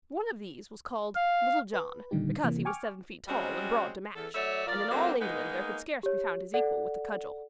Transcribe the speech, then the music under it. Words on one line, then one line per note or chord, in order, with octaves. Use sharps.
One of these was called "Little John," because he was seven feet tall and broad to match, and in all England there could scarce be found his equal with the cudgel.
F5
B4
A#2 D3 D#3 G3 D#4 G4
C3 E3 A#3
G5 G#5 C#6 D6 F6
G3 G#3 C4 C#4 F#4
E2 A4
F#3 A3 C#5 D5 E5
F3 F4 A#4 D5
F#3 A3 A#3 C4
G#3 A#3 B3 D#4
G4 C#5
A4 D5 F#5